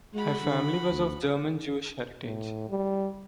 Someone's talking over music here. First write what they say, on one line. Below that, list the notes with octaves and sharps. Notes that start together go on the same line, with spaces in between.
Her family was of German Jewish heritage.
G#3 F#4 B5
D3
D2
A2
G3